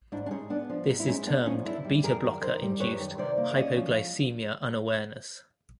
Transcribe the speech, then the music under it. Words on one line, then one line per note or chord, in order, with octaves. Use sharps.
This is termed beta blocker induced hypoglycemia unawareness.
G#2 D4 E4
D4
G#3 C#4 D#4
B3 D4
F3 D4
G#2
E4
G#3 C#4 D#4
B3 D4
F3 C#4 D#4
F#2 D4 E4
G3
F#2 G#4 A#4
D#3
F#2 A#4 C5
G3
F#2 B4 C#5
D#3
C3 C5 D5
A#3
D5
C#4 C#5 D#5
F3